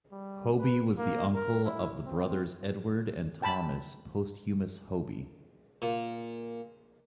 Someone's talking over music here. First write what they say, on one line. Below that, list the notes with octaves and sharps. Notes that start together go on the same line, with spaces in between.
Hoby was the uncle of the brothers Edward and Thomas Posthumous Hoby.
G3
B4
A#3
A#4
E4
C4
G5 A5 B5
A#2